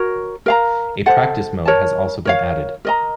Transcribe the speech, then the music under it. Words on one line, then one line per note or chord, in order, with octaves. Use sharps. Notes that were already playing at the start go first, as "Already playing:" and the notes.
A practice mode has also been added.
Already playing: F#4 A#4 C#5
A#4 F5 A#5
A4 C5 F#5
A#4 C#5 A5
A#4 C#5 F5
A#4 D#5 A#5